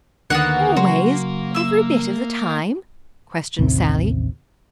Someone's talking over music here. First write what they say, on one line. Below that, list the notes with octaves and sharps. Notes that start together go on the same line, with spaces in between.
"Always, every bit of the time?" questioned Sallie.
D2 D3 D#3 A#3 B3 F#4 F#5
C#3 F#3 F#4 C6
E5 E6
A1 D#2 C3